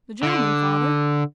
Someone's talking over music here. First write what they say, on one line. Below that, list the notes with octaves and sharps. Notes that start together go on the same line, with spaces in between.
'The gentleman, father.'
D3